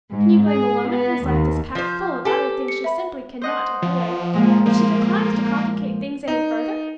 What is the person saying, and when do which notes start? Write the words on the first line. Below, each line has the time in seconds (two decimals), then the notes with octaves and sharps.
Can you blame a woman whose life is packed full of other things she simply cannot avoid, if she declines to complicate things any further?
0.11 G#2
0.48 G#4
0.89 B3
1.26 D#2
1.75 F3 C5
2.25 G4 A4 B4 G#5
2.68 C#7
2.84 E5 B5
3.42 C5 D#5 F#5
3.82 F3
4.33 A#2 G#3 A#3
4.66 F3 A#3
6.28 D#4